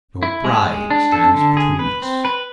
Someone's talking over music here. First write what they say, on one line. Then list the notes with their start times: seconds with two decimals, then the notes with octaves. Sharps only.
"Your bride stands between us."
0.23 E4
0.45 G#3
0.67 G#3
0.90 D4
1.12 A4
1.34 D3
1.57 G#4
1.79 B4
2.02 C4
2.25 B4